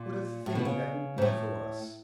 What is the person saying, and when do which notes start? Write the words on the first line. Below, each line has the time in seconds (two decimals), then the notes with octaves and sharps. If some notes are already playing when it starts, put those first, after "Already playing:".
'What a thing that would be for us!'
Already playing: A#2
0.46 A2
0.55 B2
0.65 C#3
1.18 G#2
1.22 A2